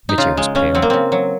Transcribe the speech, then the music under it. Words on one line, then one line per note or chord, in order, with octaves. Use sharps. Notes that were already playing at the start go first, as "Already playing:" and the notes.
Mitya was pale.
D#4
C#3 F4
G#3
C#3 C#4
F#3 C4
A#3
C#3 C4
F#3